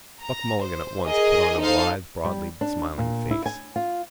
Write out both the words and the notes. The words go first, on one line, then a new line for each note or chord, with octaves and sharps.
Buck Mulligan at once put on a blithe broadly smiling face.
A#5
C5
G#4 A#4 D#5
D#4 A4 C5 F5
G3
D4
A#2
E4
G#5
F4